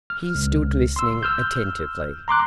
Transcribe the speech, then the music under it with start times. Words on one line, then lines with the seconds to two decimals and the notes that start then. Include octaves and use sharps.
He stood listening attentively.
0.10 F6
0.35 C#2
0.96 C6 E6
1.23 E6 F6 G6
2.28 A#5 C6 D6 F#6